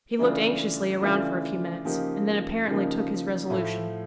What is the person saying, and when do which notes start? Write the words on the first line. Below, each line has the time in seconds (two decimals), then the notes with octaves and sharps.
He looked anxiously around for a few minutes, and then apparently took his resolution.
0.19 C#3 E3 A3 D4 F4
1.02 C#3 E3 A3 D4 F4
1.85 C#3 F3 A#3 D#4 G4
2.68 C#3 F3 A#3 D#4 G4
3.50 A2 F3 A3